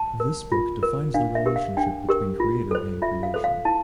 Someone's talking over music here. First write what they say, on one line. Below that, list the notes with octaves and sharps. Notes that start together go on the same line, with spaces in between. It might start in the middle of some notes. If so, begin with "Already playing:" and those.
This book defines the relationship between creator and creation.
Already playing: A5
A#4
F4
A#4
D4 F5
E5
G4 A#4
F5
D4 G5
G4 A#4
F4
A4 C5
F4 E5
F5
A4 C5
F5
E4 A5